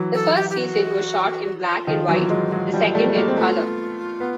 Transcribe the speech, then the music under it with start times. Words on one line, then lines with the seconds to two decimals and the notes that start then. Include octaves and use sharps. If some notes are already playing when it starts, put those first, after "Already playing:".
The first season was shot in black and white, the second in color.
Already playing: E3 F#3
0.14 A4
0.36 G4
0.50 G4
0.58 F#4
1.65 F4
1.87 D#3 F3
2.09 E3 F#3
2.30 F#3 G#3
2.51 F#3 G#3
2.73 F3 G3
2.95 G3 A3
3.10 A3
3.16 G#3 A#3
3.28 C4
3.37 A3 B3 F4
4.20 B3